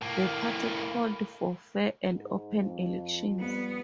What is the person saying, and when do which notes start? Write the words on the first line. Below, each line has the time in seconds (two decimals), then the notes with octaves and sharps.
The party called for fair and open elections.
0.02 A2 A#3
2.08 G#2
2.56 F2
3.40 G3 B3